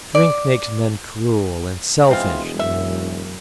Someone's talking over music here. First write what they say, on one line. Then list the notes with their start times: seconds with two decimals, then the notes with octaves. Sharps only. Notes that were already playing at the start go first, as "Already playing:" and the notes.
Drink makes men cruel and selfish.
0.15 D5
2.09 E1 E3 G#3 C4 F4
2.59 F#2 E5